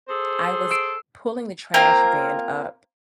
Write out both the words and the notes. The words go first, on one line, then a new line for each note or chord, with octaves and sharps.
I was pulling the trash bin up
G#4 A4 C5
E6 C7 D7
A#3 C4 F4 A#4